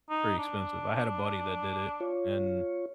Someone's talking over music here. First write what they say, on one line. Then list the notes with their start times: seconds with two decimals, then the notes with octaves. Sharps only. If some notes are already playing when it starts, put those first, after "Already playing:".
pretty expensive. I had a buddy that did it and
0.10 D#4
0.39 D4
2.00 F4 C#5